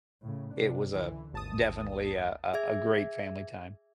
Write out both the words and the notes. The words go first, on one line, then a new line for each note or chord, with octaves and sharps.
it was a definitely a a a great family time.
A2 C#3
C3 D4
C#2 D3 E3
G#1 D#2 A5 D#6
G#4 E5 G#6